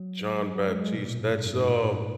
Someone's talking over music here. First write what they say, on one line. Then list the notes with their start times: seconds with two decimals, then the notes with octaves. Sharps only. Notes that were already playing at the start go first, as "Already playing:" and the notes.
Jon Batiste, that's, um
Already playing: F#3
0.55 F#3
0.68 G#3
0.81 G#3
0.93 B2
1.06 A#2
1.19 G#2
1.34 G#2
1.44 F#2
1.57 G#2
1.69 A#2
1.82 G#2